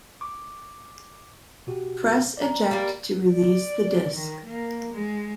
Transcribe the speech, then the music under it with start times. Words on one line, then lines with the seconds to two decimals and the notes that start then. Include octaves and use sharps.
Press eject to release the disk.
0.21 C#6 D6
1.67 B2 F#4 G4
2.37 D5 A#5
2.71 G3 A#3
3.33 D5
4.13 D#3
4.45 A#3
4.93 G#3